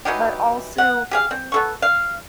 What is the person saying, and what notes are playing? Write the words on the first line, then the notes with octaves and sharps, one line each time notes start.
but also
E3 F#3 D#4 G4
F#5
G4 G#4 F5
C4
B3 A4 C#6
F5